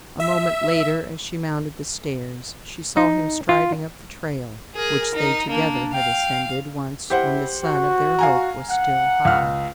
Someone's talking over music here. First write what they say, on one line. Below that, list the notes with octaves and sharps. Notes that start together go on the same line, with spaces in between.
A moment later, as she mounted the stairs, she saw him striding up the trail which they, together, had ascended once when the sun of their hope was still high.
E5
D#4
F4
G#4 A#4
D#4
A#3 D4
F5 G5
E4 G4 C5 F#5
F#4
F5 G#5 A#5
F#5
C#2 F6